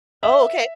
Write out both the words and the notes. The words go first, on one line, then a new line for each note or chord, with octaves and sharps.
Oh, okay.
E5